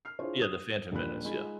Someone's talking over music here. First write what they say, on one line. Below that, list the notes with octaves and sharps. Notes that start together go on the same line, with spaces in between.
Yeah, The Phantom Menace, yeah.
F6 C7
D4 E4 F4 G#4 C5 C#5
D#6
D#1 A#2 F3 D4 B5 F#6
G#3 D#4 F4 B5